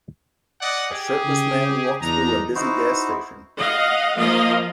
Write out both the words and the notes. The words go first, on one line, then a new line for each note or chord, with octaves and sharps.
A shirtless man walks through a busy gas station.
D5 D#5 F#5
G4 G#4
C#3
E2 D4 D#4 A#5
D#4 E4 F#4 C5
D#5 F5 F#5
F3 A#3 D#5 F5